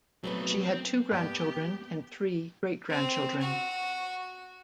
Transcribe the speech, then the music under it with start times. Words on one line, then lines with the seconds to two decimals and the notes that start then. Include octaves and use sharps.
She had two grandchildren and three great grandchildren.
0.24 F#3 A3 B3 C4 B4
0.61 C4
1.12 G2 A#3 B3 G4
2.89 C4
3.41 F#4